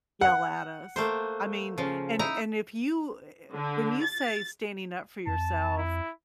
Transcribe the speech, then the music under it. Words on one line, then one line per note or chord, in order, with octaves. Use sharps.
yell at us." I mean and and if you eh eh when you say standing up for yourself,
F#5
A3 A#3 C5
C#3 F3
D#4 E4 A#5
D3
A6
F2 A5
E4